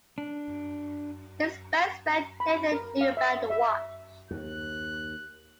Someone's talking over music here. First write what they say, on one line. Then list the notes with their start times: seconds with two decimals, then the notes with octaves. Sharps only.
His best friend Nathan knew about the watch.
0.18 D4
2.40 B5
2.72 A#4
3.01 F5
3.17 E5
3.50 E5
4.31 D#2 F#6